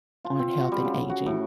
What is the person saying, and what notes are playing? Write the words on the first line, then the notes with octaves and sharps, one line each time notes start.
on health and aging
F4
C4
F#4
G3
C#3
F#4
A2